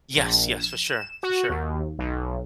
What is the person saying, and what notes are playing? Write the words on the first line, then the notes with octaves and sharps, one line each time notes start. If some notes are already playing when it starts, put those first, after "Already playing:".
Yes, yes, for sure, for sure.
A#1
E7
F#4
D#2
B1